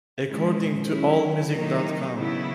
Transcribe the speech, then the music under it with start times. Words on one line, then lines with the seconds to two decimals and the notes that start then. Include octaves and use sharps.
According to Allmusic dot com.
0.27 A#2 G#3 C#4 E4
0.89 F#3 C#4 E4
1.52 D#3 F#3 A#3 D#4
2.15 C#3 F#3 B3 E4